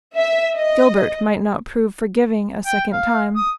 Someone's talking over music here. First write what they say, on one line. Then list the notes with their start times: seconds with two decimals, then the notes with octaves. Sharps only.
Gilbert might not prove forgiving a second time.
0.17 E5
0.56 D#5
2.66 G5
2.92 F5
3.36 D#6